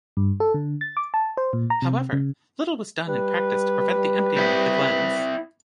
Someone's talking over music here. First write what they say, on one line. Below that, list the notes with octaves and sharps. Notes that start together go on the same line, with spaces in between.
However, little was done in practice to prevent the emptying of the glens.
G2
A4
D3
A6
D6
A5
C5
A#2
A#5
C3
C#3
G3 B4
C4 E4